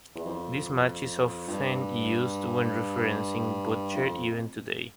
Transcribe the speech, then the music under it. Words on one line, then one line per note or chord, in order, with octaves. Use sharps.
This match is often used when referencing Butcher even today.
E2
F2
G2
F2